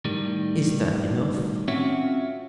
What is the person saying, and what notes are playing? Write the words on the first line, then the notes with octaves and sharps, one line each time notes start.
"Is that enough?"
A2 D#3 G3
C4 C#4 F4 F#4 C#5 E5